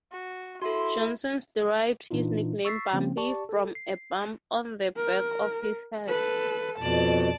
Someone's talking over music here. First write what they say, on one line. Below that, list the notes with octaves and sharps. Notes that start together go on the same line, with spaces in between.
Johnson derived his nickname "Bumpy" from a bump on the back of his head.
F#4
E4 F#4 A4 C6
A#2 E3 D4 D#4 F4
C#6 E6 A6 B6 C7
C#3 F3 A#3 C4 C#4
G4 D5 A5 C#6
A4
C7
A#4
A4 B4
F2 B2 D5 A5